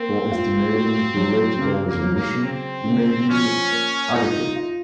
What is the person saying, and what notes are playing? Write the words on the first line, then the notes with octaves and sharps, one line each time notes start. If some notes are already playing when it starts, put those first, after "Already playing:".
For estimating theoretical resolution, it may be adequate.
Already playing: A#3 C4
F4
F#4
F#3
C#3 A#3
A#3
F#3
A#3
C#3 C4
C#3
F3 C#4
A#3
D#4 F4
F4